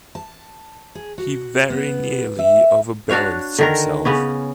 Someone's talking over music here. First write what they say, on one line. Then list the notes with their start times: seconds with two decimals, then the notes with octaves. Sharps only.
He very nearly overbalanced himself.
0.15 A5
0.95 G#4
1.18 F#4
1.70 B3
2.39 E5
3.09 D4 F#4 C#5 F5
3.59 D3 D#3 A#4
4.05 C#3 B3 C#4